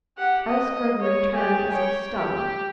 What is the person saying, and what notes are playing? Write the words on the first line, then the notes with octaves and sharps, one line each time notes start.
Alice Greggory turned as if stung.
G4 F#5
D#5
C#5
G4 G#4
C#5 G5
G4